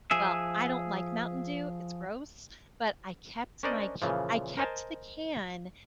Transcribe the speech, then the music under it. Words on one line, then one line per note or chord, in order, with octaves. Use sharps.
Well, I don't like Mountain Dew, it's gross, but I kept my c I kept the can,
F3 G#4 E5
C#4 D4 A#4 C5 D5 D#5
A#2 C#3 E3 F3
A#4 C5 D#5 G#5 A5